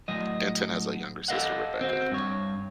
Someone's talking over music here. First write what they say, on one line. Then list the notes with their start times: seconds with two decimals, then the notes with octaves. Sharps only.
Denton has a younger sister, Rebecca.
0.08 A2 F#3 D#5
1.28 G4 A4 A#4 D#5 F5 F#5
1.81 C4 F#4
2.12 G2 C#5